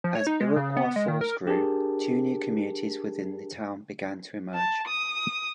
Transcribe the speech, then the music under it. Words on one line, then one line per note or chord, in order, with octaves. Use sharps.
As Iroquois Falls grew, two new communities within the town began to emerge.
F3
C#5
D#4
G#3
C#3
B3
G#3
D#3
A#4
D4 G4 G#4 A#4 A5
A5
D#6